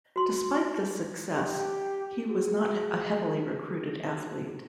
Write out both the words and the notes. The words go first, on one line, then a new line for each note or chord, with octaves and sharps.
Despite this success, he was not a heavily recruited athlete.
F#4 C6
G4
F#4 G#4